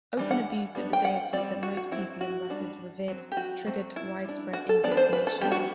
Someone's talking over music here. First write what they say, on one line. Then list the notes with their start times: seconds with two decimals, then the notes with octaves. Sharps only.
Open abuse of the deities that most people in Rus' revered triggered widespread indignation.
0.17 E3 G3 D4
0.31 F#5
0.75 G3 B3 D4
0.93 G5
1.05 F#5
1.33 C4 D5
1.38 G3
1.63 F#4
1.77 F#4
1.92 F#3 C4 E4
2.21 F#4
2.50 G3 D4
3.08 F#3 C4
3.32 G4
3.37 F#4
3.67 F#3 A3 C4
3.96 E4
4.25 G3 D4
4.53 F#4
4.69 A4
4.83 E3 B3 D4 D5
4.91 B4
4.97 C5
5.13 B4
5.27 A4
5.41 G3 B3 D4 G4
5.52 F#4